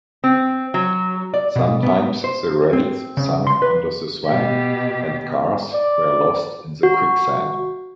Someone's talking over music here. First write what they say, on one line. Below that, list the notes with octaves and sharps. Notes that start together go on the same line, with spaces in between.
Sometimes the rails sunk under the swamp, and cars were lost in the quicksand.
C4
F#3
D5
B2
B3
C5
C4
C#3
C6
B4
B2 G4
D5
F#4